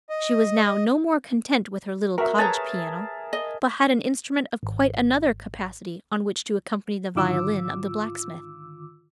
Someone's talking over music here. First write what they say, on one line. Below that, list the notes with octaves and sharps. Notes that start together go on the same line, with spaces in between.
She was now no more content with her little cottage piano, but had an instrument of quite another capacity on which to accompany the violin of the blacksmith.
D#5
F#4 A#4 E5
G#4 B4 C#5 A5 A#5
D#5
G#1
G#2 D3 D#3 F4 D6 E6